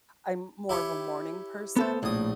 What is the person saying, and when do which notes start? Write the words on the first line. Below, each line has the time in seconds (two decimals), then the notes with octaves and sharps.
I'm more of a morning person
0.69 E4 G4 C#5
1.76 B3 A4 C5
2.03 A#1 A2 D#6